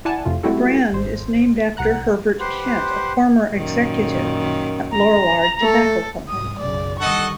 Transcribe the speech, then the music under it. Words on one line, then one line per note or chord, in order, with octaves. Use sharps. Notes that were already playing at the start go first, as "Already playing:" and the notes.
The brand is named after Herbert Kent, a former executive at Lorillard Tobacco Company.
E4 D5 F#5 G#5 A5
F2 A2 C3 F4
G3 A3 C4 E4 F#4 A4
G#1 C5
C2 F#5 A#5 F#6
G4 B4 C5 F#5 C6
F#2 A#2 D#3
A#5
A3 A4
C2 G#2 D#6
B1 F#2 C#3 D5
D3 D#3 G3 A4 D#5 F#5 C#6